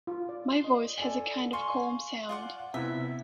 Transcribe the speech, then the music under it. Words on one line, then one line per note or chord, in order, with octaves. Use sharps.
My voice has a kind of calm sound.
F4
D5
C6
D#5
A4 D5 G#5
F5 G#5 C6 C#6
F4 D5 F#5
C3 B3 E4 E5